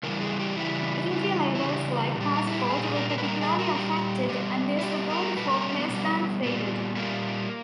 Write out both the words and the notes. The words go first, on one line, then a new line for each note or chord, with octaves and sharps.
Indie labels like Passport were particularly affected, and their support for Pezband faded.
C#3 E3 G3 A#4
G#4
G4
C#3 E3 G3 E4
C#3 E3 G3
E4
C#3 E3 G3 G4
A#2 G3
D#4
E4
G4
A#2 G3 G#4
G4
G#4
A#4
A#4
B4
A#2 G3 A#4
G#4
A#4
A#2 G3 G4
B2 G3
E4
B2 G3 G4
A#4
B2 G3 B4
A#4
C#4
B3
B2 G3
A#2 G3
A#2 G3 A#3